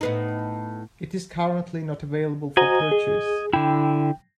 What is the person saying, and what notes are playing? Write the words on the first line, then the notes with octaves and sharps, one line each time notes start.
It is currently not available for purchase.
A2 B3 D#4
F#4 C5 D#5 G#5 A#5
G#4
D3 E4 G5